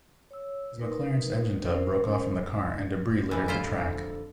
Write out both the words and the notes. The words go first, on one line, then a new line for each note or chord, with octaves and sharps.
His McLaren's engine tub broke off from the car and debris littered the track.
C#5 E6
D#4 A#4 B4
C#4 A#4 C5
F2 D3 E3
E4 F4 C5